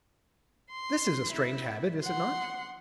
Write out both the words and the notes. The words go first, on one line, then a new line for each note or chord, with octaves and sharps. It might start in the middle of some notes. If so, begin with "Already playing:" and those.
This is a strange habit, is it not?
C6
E4
F#5 C6